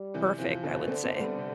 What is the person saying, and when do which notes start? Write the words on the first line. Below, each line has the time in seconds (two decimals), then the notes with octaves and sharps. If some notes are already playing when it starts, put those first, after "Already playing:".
perfect, I would say.
Already playing: G3
0.14 C3 E3
0.39 C3 E3 F3
0.63 B2 D3
0.88 D3 A3 C4
1.04 A3 C4
1.21 G3 B3
1.38 C3